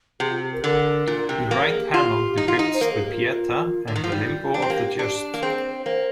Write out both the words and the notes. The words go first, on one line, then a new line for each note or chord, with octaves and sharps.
The right panel depicts the Pietà and the Limbo of the Just.
C3 G#4
F4
G4
A#4
D3 A#4
A#2
C3
A#3 A#4
G#4
G4
F4
D#4
F4
D#4
C5
A#3 A#4
G#4
G4
F4
D3
D#3
F3
G3 D#4
F4
F4
D4 G4
C4
A#3
D4
A#3
C4 G#4
C5
A#3 C5